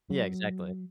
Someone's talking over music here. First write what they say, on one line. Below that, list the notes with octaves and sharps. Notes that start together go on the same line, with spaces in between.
Yeah, exactly.
F#3